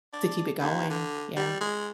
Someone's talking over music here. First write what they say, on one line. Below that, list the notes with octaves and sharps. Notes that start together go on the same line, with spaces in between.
To keep it going, yeah.
D4
D#2
D3
G3
G#3